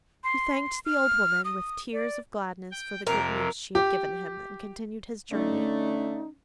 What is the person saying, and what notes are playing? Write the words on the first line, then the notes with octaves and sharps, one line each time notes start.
He thanked the old woman with tears of gladness for the good news she had given him, and continued his journey.
C6
F6
D#6
D5
G5
F2 C3 A#4
G4
D3 A3 C#4 D#4